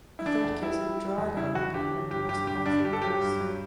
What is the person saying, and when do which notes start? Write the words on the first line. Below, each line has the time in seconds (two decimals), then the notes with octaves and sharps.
A third kiss would draw down upon them the most awful curse.
0.19 E4
0.26 E3 D4
0.44 E2
0.62 G3 E4
0.81 G3
1.00 G3
1.18 E2
1.37 C#3 E4
1.55 E2 F#4
1.74 D3 G4
1.92 F#3
2.11 G2 G4
2.29 G2 G4
2.47 D3 G4
2.66 G2 D4
2.85 G2 G4
2.93 A4
3.02 F#3 G4
3.21 G2
3.41 F#3